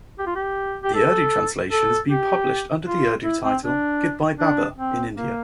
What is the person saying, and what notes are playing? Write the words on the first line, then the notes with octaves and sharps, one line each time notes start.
The Urdu translation has been published under the Urdu title "Goodbye Baba" in India.
G4
F4
G4
G4
A4
A4
G4
F4
E4
C4
D4
D4
C4
A#3